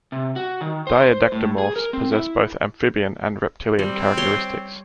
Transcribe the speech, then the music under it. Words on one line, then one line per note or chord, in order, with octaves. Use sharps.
Diadectomorphs possess both amphibian and reptilian characteristics.
C3
F#4
D#3
C5
A2
G#4
A#4
C4
E4
G3 C4
C#5 C6